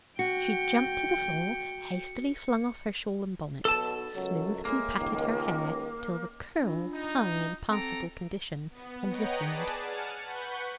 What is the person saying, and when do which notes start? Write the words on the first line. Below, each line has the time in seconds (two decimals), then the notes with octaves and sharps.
She jumped to the floor, hastily flung off her shawl and bonnet, smoothed and patted her hair till the curls hung in passable condition, and listened.
0.19 F#4 G5 C#7
3.65 B1 B2 A4 A5
4.14 C#2 F#2 F#3
4.65 A2 G#3 A#3
4.99 C#2 D#3
6.63 D4 F4
6.93 D#4
7.69 C4 A4 G5 A#5 D7
8.70 B3
9.08 B4 C#5 D#5 F#5 G5 A#5
9.40 G#4 B4 D5 A5
9.79 F#5 G#5 A5 F6 A6 C#7
10.26 B4 F#5 B5 C#6 G6